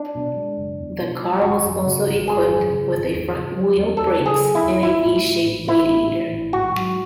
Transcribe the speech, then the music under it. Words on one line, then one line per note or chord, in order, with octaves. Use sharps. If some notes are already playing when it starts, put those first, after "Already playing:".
The car was also equipped with front-wheel brakes and a V-shaped radiator.
Already playing: D4
B2
G#3
F#1
E2
B2
G#3
G#1 F#4
F#2
C#3
G#1
G#1 G#4
F#2
C#3
G#1
E2
C#3
F#3
E2
E2 A4
C#3
G#4
F#3
E4
E2
A1 E4
A2
E3
A1
A1 E4
A2
E3
A1
G#2 F#4
F#3